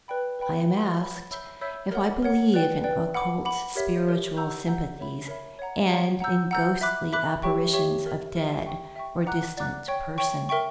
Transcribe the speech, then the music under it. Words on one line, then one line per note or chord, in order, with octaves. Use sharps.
I am asked if I believe in occult spiritual sympathies, and in ghostly apparitions of dead or distant persons.
B4 D5 G5 B5
B4 D5 G5 B5
C#5 F#5 B5
C#5 F#5 B5
C#5 E5 B5 E6 G6
C#5 E5 B5 E6 G6
A#4 C#5 F#5
A#4 C#5 F#5
B4 D5 G5
B4 D5 G5
F#5 B5 D6
F#5 B5 D6
G4 A#4 C#5 E5
G4 A#4 C#5 E5
F#5 A#5 E6 G6
F#5 A#5 E6 G6
A#4 C#5 E5 B5
A#4 C#5 E5 B5
C#5 F#5 A#5
C#5 F#5 A#5
F#5 A#5 E6 G6
F#5 A#5 E6 G6
E5 B5 D6 F#6
E5 B5 D6 F#6
G4 C#5 E5 G5 C#6
G4 C#5 E5 G5 C#6
G4 A#4 E5
G4 A#4 E5
E5 G5 C#6
E5 G5 C#6
D5 F#5 A#5 D6 F#6
D5 F#5 A#5 D6 F#6
C#5 G5 C#6
C#5 G5 C#6
A#4 E5 G5 C#6